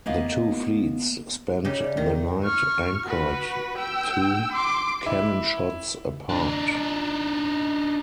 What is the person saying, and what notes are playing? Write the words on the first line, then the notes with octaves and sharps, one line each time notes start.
The two fleets spent the night anchored two cannonshots apart.
A#3 B3 D#5 F5
C#3 D#4 G4 C#5
C#4 D5 E5
D#3 E4
C#6 F6
F#4 B4
G5 E6
C6 D6
E4
D4 D#4